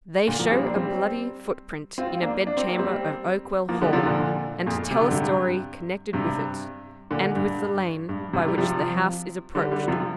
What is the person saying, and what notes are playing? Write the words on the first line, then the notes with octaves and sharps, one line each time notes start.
They show a bloody footprint in a bed-chamber of Oakwell Hall, and tell a story connected with it, and with the lane by which the house is approached.
A#2 D3
F3 A#3
G3 C4
A#3 D4
G3 C4
C4 F4
A#3 D4
D4
C4
A#3
G3 C4
F3 A#3
D3 G3
C3 F3
A#2 D3
F2 A#2
C3
D3
G2 C3
G2 C3
A#2 D3
G2
G2
G2 C3
G3
C3 F3
D3 G3
D3 G3
C3 F3